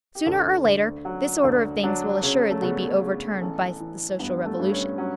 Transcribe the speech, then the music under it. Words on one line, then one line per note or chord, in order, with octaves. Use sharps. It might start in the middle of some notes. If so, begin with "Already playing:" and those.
Sooner or later, this order of things will assuredly be overturned by the social revolution.
G4
D2 A4
D2
F#3
D2
F#3 D4
C#3 C#4
A3
C#3 B3
C#3
A1
E3
G2 B3
A3
G2
C#4
F#3 C#4